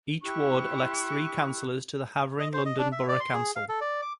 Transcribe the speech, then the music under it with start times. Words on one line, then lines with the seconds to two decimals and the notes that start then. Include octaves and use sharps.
Each ward elects three councillors to Havering London Borough Council.
0.23 E4 G4 C#6 F#6
2.39 D#5
2.53 C5
2.65 D#5
2.79 D4
2.92 E5
3.08 D5
3.20 C6
3.34 G#4
3.56 F5
3.69 A4
3.81 D5
4.02 D6